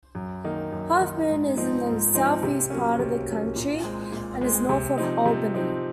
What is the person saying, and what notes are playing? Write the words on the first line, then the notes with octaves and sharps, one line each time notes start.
Halfmoon is in the southeast part of the county and is north of Albany.
F#2
D#3 A#3 D#4
F#2
D#3 A#3 D#4
G#2
F3 C4 D#4
G#2
F3 C4 D#4
C3
F#3 A#3 C#4
C3
F#3 A#3 C#4
A#2
G#3 C4
A#2
G#3 C4
C3
F3 C4 D#4
C3
F3 C4 D#4